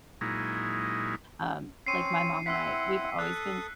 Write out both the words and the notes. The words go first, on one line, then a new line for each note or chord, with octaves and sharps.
um, like, my mom and I, we've always been
A#2 F#3 G#3 D#4 E4
C4 C#4 C7 C#7 D#7
C4 E4 F#5 E6 B6
A4 D#6 F#6